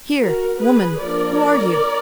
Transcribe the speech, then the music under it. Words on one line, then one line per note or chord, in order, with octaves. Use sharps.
Here! woman, who are you?
F#4 A#4
G#4 B4
F3 A#3 D4 A#4 D5